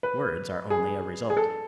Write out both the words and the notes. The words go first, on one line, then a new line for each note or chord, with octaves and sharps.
Words are only a result.
B4
G#4
G#4
A4